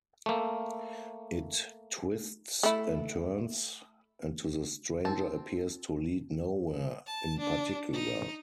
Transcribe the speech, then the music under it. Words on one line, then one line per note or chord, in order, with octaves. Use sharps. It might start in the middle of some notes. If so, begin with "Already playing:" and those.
It twists and turns, and to the stranger appears to lead nowhere in particular.
A3 A#3
A3 E4
C4 D#4 A#4 A5
A5
D4
D#4